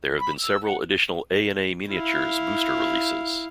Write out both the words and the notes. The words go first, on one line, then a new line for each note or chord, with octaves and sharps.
There have been several additional "A and A Miniatures" booster releases.
B5
E6
F#5
E4 F5